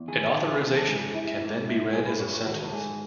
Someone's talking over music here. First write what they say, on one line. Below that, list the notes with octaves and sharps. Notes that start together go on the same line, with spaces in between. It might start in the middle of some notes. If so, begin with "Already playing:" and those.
An authorization can then be read as a sentence.
Already playing: E2
D#3 G#4
A3 G#4
G#4
E2 B4
A4
G#2 G#4
E4
G#2
E4
G#3 G#4
B4
G#2 C#5
C#5
D#3 F#4
A4
G#2 G#4